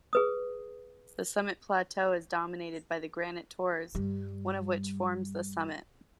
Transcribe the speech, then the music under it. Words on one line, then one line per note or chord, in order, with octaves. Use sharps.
The summit plateau is dominated by granite tors, one of which forms the summit.
G#4 B4 D#6
G2 G3